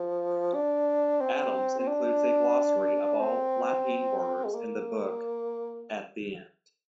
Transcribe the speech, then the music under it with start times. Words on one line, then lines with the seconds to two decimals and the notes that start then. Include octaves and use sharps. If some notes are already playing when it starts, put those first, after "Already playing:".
Adams includes a glossary of all Lapine words in the book at the end.
Already playing: F3
0.54 D4
1.21 C4
1.79 C4
1.88 D4
3.21 C4
4.45 G#3
4.55 A#3